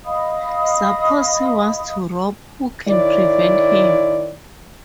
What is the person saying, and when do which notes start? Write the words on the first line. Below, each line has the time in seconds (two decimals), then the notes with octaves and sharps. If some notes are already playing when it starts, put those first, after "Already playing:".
Suppose he wants to rob — who can prevent him?
0.05 D#5 F5 B5 D#6
2.87 D#3 E4 C#5 D5